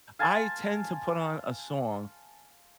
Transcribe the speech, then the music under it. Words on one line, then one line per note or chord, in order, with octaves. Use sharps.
I tend to put on a song
F5 G#5 A5 C6